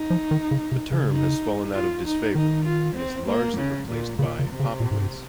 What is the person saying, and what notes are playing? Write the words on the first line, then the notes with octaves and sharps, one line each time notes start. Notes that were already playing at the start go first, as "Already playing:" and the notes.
The term has fallen out of disfavor and is largely replaced by "pop quiz".
Already playing: D#4
F3
D#3
C#3
C3
C#3
D#4
F4
D#4
D#3 D#4
F4
C4
A#3
C#3
A#2
A#2 C#3
C#3
C3
C#3
A#2
G#2
G2